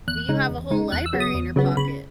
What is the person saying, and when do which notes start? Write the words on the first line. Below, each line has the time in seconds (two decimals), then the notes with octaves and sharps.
Do you have a whole library in your pocket?
0.08 E2 F#6
0.29 C#3 G#3 D#4
0.50 E2
0.70 C#3 G#3 D#4
0.92 E2 F#6
1.06 E6
1.13 C#3 F#3 B3
1.20 D#6
1.35 E2
1.56 C#3 F#3 B3
1.77 C#3 B5